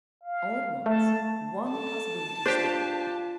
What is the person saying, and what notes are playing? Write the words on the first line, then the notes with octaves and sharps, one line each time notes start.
All at once one possibility struck me.
F5
A3 A5
A4 A5
D4 F4 G4 C5